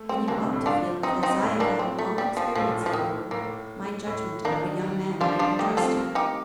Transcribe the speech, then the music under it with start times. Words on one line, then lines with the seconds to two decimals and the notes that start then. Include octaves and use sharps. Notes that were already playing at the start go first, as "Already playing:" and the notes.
"And you ought to feel that, as I have had a long experience in the world, my judgment about a young man might be trusted."
Already playing: A3
0.09 G3 C4
0.28 D3 A#3 D4
0.41 C3
0.53 A2
0.66 G2 D4 F4
1.03 C4 D#4
1.23 C4 D#4
1.42 A2
1.60 A#3 D4
1.79 C4
1.99 A3
2.18 G3
2.37 F3
2.56 A2 F3
2.68 A#2
2.81 A#2
2.86 F3
2.93 A2 D#3
3.31 A2 A#3
4.07 A2
4.45 D#3 A#3 D4
4.83 G3
5.21 F3 D4 F4
5.39 G3 D4 F4
5.59 A3 D#4 G4
5.77 C4 F4 A4
5.96 A#3
6.15 D#4 G4